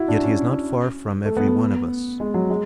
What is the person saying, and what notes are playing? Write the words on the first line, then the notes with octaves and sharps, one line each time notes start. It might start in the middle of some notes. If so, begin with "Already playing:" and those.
Yet He is not far from every one of us.
Already playing: E4 F#4
D4
C#4
A3
B3
B3
G#3
F#3
G#3